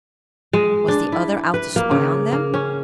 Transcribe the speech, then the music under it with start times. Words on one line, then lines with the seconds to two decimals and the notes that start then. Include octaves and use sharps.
Was the other out to spy on them?
0.53 G#3
0.88 D4
1.12 E4
1.54 B4
1.76 A#3
1.91 C#3
2.32 A#3
2.54 C#4